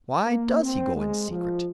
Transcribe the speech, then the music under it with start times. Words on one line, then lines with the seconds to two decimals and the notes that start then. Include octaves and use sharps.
Why does he go in secret?
0.25 A#3
0.61 C4
0.95 G#3
1.30 F3